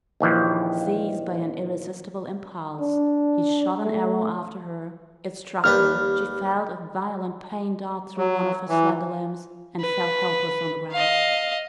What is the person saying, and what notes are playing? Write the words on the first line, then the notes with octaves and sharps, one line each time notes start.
Seized by an irresistible impulse, he shot an arrow after her; it struck her, she felt a violent pain dart through one of her slender limbs, and fell helpless on the grass.
A#1 D#2 E3 F3
D4
A3
D#2 G3 B4 F6
F#3
E3
B4
D#5 F5